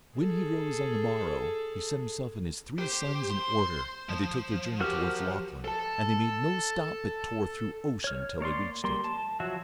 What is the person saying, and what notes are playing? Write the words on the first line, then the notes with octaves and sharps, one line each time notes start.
When he rose on the morrow, he set himself and his three sons in order, and they took their journey towards Lochlann, and they made no stop but tore through ocean till they reached it.
G#4 A4
G4 C5
C6
F3
F#4 G4 A#4 F6
A4 A5
C#5 F6
A#3 C#5 D5 C6
G3 A#3 C6
A5
F3 F#3 F#4 E5